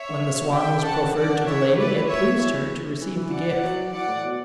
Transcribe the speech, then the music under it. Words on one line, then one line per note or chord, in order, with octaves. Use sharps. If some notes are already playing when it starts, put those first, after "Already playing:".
When the swan was proffered to the lady it pleased her to receive the gift.
Already playing: C#5 E5
D3
C#3
B2
C#3 E5 G5
F#5 A5
D3 D5 F#5
E3 C#5 E5
B4 D5
C#5 E5
E3
E3
E3
D5 F#5
F#3
E3 D5 F#5
A2
B2